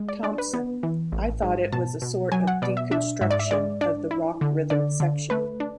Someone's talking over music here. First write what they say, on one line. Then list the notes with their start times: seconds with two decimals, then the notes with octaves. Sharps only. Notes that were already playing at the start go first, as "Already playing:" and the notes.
Thompson: I thought it was a sort of deconstruction of the rock rhythm section...
Already playing: G#3
0.09 D5
0.23 D4 D5
0.38 B4
0.54 B3
0.83 E3
1.12 A1
1.42 G#2
1.72 B2 A5
2.02 B2
2.32 F#3 G#5
2.47 F#5
2.62 B2 D5
2.77 E5
2.91 D4 E5
3.21 G#2 E5
3.31 D5
3.39 E5
3.51 G#3 D5
3.81 D4 D5
4.11 E4
4.41 D3
4.70 D3 D5
5.00 D3
5.30 A3 B4
5.60 D4